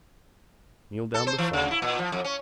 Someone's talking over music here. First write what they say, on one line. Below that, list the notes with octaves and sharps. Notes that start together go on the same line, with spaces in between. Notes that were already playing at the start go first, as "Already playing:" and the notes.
Kneel down before me.
A4
C5
E3
C#3
E4
A#2
F3
F2
C#4